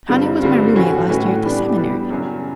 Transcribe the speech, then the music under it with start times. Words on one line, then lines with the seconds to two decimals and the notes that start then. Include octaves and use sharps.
Connie was my roommate last year at the Seminary.
0.09 G2 D3 G3 C4 F4
0.42 G2 D3 G3 C4 F4
0.76 A2 E3 A3 C#4 F#4
1.09 A2 E3 A3 C#4 F#4
1.43 E3 G3 B3 D4 G4
1.77 E3 G3 B3 D4 G4
2.10 F#2 C#3 F#3